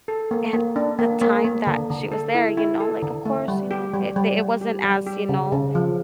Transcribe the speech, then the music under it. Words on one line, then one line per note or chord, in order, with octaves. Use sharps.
and, the time that she was there, you know, like, of course, you know, it the it wasn't as, you know,
A4
A#3
A#3
D4
A#3
A#3
A#3
D3
D3
A4
E4
E4
A4
D3
A3
G3
G4
G3
G3
G3
G4
G3
G4
C#3
C#3
F3